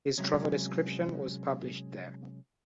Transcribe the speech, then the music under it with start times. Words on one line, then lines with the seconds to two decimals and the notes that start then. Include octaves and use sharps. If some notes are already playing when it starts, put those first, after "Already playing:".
His travel description was published there.
0.18 C3 F#3 G#3 C#4